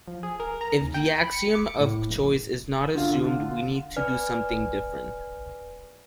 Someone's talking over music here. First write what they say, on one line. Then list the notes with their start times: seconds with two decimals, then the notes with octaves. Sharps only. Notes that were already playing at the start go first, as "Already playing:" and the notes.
If the axiom of choice is not assumed we need to do something different.
0.08 F3
0.23 G#4
0.40 A#4
0.61 A#5
0.80 D#2
0.94 G5
1.18 B5
1.33 C#7
1.55 D6
1.80 A2
2.11 A#1
2.95 D3 F4
3.96 B4 D5 G#5 F6